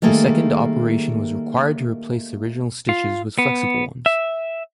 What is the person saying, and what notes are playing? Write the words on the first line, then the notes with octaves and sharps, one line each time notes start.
The second operation was required to replace the original stitches with flexible ones.
D#3 G3 A3 A#3 G#4
F4
B3
E5